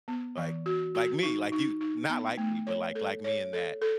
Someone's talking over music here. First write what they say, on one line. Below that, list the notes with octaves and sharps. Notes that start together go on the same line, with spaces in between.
like like me, like you not like me, but like like me in that
B3
E3
F#4
F#4
D#4
D#4
D#4
B3
A3
C#5
A4
C#5
A4
A4